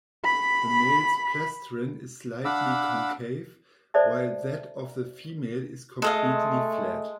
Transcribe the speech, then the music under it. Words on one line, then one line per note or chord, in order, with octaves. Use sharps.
The male's plastron is slightly concave, while that of the female is completely flat.
B5 B6
D4 F5 F#5 B5 D6 E6
A4 C5 D5 E5 A5
G#3 A3 A4 D#5 F5